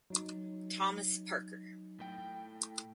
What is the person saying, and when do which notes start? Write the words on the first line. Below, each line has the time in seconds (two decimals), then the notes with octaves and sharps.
Thomas Parker.
0.10 F#3 D#4
2.00 A2 G5